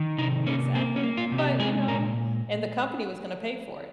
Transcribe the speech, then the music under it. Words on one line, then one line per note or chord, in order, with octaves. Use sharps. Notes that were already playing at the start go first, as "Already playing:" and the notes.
Exactly, but, you know, and the company was gonna pay for it,
Already playing: D#3
C3 D#4
A#3 C#4
A#3 C4
C#4
A#3
F4
C3
G4
G#3 G#4
A#2 A#4